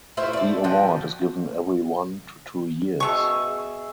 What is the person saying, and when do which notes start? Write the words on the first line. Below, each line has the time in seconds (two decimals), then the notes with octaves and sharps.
The award is given every one to two years.
0.17 A3 E4 F4 C5
0.33 A4 D5
0.64 F3 F#4 G5
3.00 B2 G#4 E5 C#6